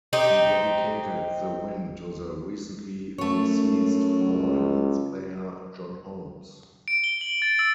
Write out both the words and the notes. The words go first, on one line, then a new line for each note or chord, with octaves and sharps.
He dedicated the win to the recently deceased former Leeds player John Holmes.
C4 D#4 G4
F#2 A3 C#5
C#2
D7
G7
F#7
A6
E6